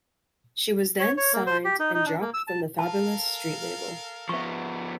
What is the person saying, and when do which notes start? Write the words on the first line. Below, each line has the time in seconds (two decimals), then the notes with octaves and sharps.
She was then signed and dropped from the Fabolous street label.
1.00 C#5
1.17 C#5
1.33 A#3
1.47 C5
1.65 G4
1.79 D#4
1.94 D#4
2.06 D4
2.21 A#3
2.34 E6
2.47 A5
2.79 A4 A#4 F5 A5
4.29 F3 B3 E5 C#6